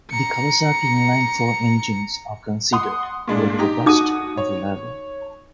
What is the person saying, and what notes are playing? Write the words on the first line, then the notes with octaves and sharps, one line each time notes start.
The Kawasaki inline-four engines are considered very robust and reliable.
A#5 C#7
F#5 C6 D#6
A#2 G#3 D4
D#4 G4 A#5
D#4 F#4 D#6 D#7
C#5